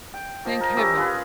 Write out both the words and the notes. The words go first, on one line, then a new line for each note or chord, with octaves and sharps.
Thank Heaven!
G5
F3 D#5
A#4
G3 C#4 D#5 E5
F4 G#4 B4